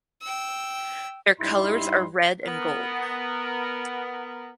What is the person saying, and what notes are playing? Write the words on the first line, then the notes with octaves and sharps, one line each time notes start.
Their colors are red and gold.
G5 E6
G2 G3 D#4 E4 B5 C6
B3 A#4